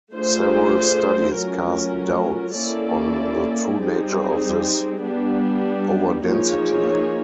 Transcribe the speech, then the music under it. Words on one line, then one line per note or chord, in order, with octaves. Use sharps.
Several studies cast doubts on the true nature of this overdensity.
A3 D4 F4 G#4 C5
F#3 A3 C#4 F4 A#4
A#3 C#4 E4 A4 D5
G3 C4 D#4 G#4
G3 B3 D4
F3 A#3 D#4 G#4 C#5